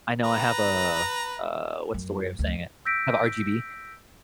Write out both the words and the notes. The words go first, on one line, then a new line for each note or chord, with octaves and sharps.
I know I have a, uh uh, what's the way of saying it? I have RGB,
B4 A#5
F#2
D2
E6 G6 A#6 B6 D7